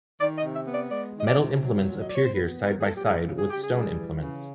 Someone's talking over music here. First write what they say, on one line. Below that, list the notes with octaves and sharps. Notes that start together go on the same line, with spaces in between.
Metal implements appear here side-by-side with stone implements.
D#3 D5
D#5
C3
E5
B3
D5
G#3 D5
D#3 D#5
D5
C3
F#3
A#2
D#5
A#2 D5
C#5
C5
B3 B4
F#3
B4
A#4
A#2 G#4
A4
G4
E3 G#4
C#3
G#4
C#3 G4
G#4
G3
E3
C#3